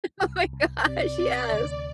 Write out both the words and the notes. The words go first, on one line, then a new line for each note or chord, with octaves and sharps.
Oh my gosh, yes.
C2
C2
C3 D5
C3
D2